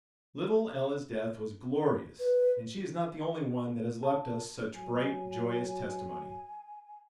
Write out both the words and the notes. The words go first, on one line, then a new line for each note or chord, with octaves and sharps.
Little Ella's death was glorious and she is not the only one that has left us such bright, joyous testimony.
B4
A5
F#3 G#5